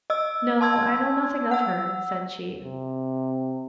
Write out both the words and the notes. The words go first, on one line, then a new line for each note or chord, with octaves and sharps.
'No, I know nothing of her,' said she.
D#5 E6
A5 C6 E6 G#6
F#5 E6
C3